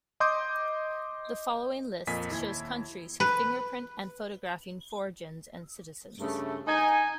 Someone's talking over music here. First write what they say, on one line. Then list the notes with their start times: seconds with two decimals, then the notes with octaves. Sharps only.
The following list shows countries who fingerprint and photographing foregins and citizens.
0.20 D#5 C6 D6 D#6 G6
2.07 F2 A#2 A#3 D#5 G#5 B6
2.30 D#2 E4 G#6
3.20 B4
6.20 G2 C#3 A3
6.66 D#4 G#5